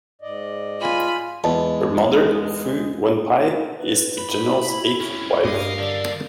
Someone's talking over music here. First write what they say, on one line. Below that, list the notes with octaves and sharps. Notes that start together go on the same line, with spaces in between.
Her mother, Fu Wenpei, is the general's eighth wife.
G#2 D5 D#5
F4 G#5 B5
E2 G#3 D#5 A5
B4
B5
E4
C3 C#4
G2 A#4 D#5 F5
D3 D5